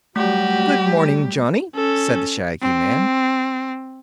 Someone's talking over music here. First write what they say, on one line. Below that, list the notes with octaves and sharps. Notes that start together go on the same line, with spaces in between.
"Good morning, Johnny," said the shaggy man.
F#3 G3 A3 F#4 G4
C#4 A4
C4